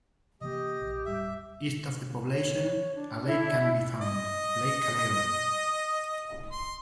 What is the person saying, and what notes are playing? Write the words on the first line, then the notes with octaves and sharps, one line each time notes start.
East of the poblacion a lake can be found, Lake Calero.
C3 E3 A#3 G4 D#5
A#1 A#2
D#1 A2 G3 E5
C#5
D4
E4
D#5
C6